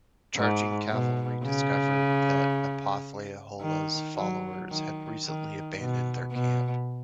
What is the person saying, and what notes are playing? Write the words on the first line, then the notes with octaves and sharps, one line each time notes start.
Charging cavalry discovered that Opothleyahola's followers had recently abandoned their camp.
G#2
B2
C#3
D#3
F#3
D#3
D#3
B2
B2